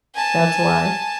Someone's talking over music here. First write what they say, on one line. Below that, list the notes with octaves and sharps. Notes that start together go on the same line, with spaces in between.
That's why.
G#5 A5